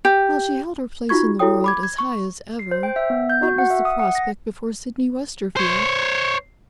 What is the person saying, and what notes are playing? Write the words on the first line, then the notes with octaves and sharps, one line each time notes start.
While she held her place in the world as high as ever, what was the prospect before Sydney Westerfield?
G4
D#4 F4 F#4 C#6 G#6
E4 F#4 A4 C#5 G5 D#6
B5 D6 G#6
G#6
C#6
C7
C5
G5
E5
B3
G6
F#4
F#5
E5
D#6
F#5
A#6
C5 C#5